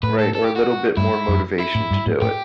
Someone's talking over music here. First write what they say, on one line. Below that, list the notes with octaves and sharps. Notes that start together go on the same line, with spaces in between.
Right? Or, a little bit more motivation to do it.
A2 B4
A4
A4
G4
F#4
G2 E4
F#2
E4
A2
G2
A2
A2 G4